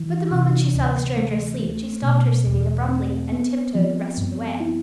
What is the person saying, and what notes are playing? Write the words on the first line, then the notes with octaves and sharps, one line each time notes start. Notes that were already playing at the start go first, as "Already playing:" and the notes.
But the moment she saw the stranger asleep, she stopped her singing abruptly and tiptoed the rest of the way.
Already playing: E3
C3
D2
A3
A3
B2
E2
C4
B3
F3
G2
E4